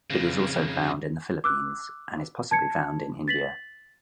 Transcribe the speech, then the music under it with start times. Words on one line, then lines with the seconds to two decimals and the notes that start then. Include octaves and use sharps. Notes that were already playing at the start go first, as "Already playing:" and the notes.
It is also found in the Philippines and is possibly found in India.
0.10 F2 C#3
1.44 D6 E6 F#6
2.51 A5 G#6 C#7
3.28 A6 B6 F#7